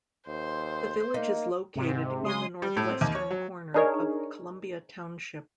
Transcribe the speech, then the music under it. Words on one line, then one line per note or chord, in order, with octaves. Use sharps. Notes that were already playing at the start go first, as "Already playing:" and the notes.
The village is located in the northwestern corner of Columbia Township.
D#2 C5
A#3 D#4
G#2 C3
C#3 G#3 C6 D#6
G3
A2
C4
D#2
C#5
F#3
D4 D#4 G#4 A#4 C#5